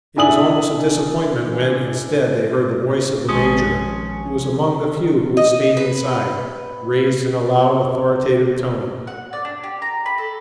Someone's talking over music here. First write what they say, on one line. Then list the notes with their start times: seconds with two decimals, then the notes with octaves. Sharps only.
It was almost a disappointment when, instead, they heard the voice of the major--who was among the few who had stayed inside--raised in a loud authoritative tone.
0.16 D4 E4 G#5 D#6 F#7
3.29 A#1 D#3 F3 G#3 C#4 D#6
5.37 D#5
5.77 B4
9.07 F#5
9.33 D5
9.45 D4
9.63 G4
9.82 A#5
10.06 B5
10.18 A4